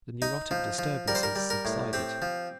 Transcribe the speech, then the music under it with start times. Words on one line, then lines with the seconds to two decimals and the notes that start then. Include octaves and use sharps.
The neurotic disturbances subsided.
0.22 D#4 D#5
0.51 F3
0.78 F3
1.08 G3 A#4
1.15 C5
1.23 A#4
1.36 G3
1.50 A#4
1.65 A2
1.93 C4 G4
2.22 F3